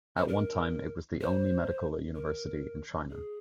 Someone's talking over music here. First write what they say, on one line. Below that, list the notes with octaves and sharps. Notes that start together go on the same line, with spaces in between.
At one time it was the only medical university in China.
C5
A#4
C5
A#4
G#4